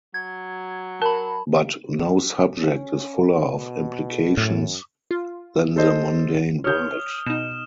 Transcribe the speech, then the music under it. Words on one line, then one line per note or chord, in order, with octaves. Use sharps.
But "no" subject is fuller of implications than the mundane world!
F#3 G#6
A#4 A5 B5
C#4
B2
F#2 A2
F4
A4 C5 D#5
C#5 D#6 F6 G6
B2 D#4 E7